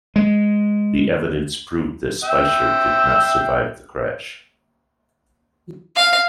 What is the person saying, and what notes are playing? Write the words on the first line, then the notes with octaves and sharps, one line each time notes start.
The evidence proved that Speicher did not survive the crash.
G#3
E5 G5
F5